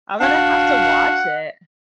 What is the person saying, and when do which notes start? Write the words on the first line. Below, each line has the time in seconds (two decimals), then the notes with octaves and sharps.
I'm gonna have to watch it.
0.21 D4 F#4 F5 F#5